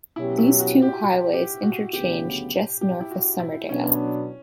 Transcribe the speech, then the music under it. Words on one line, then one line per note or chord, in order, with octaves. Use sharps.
These two highways interchange just north of Summerdale.
B2 F#3 C#4 E4 G4
E4
F#4
G4
G4
G4
F#4
D2 C#3 F#3 B3 G4
G4
E4
F#4
E4
B2 F#3 B3 C#4 D4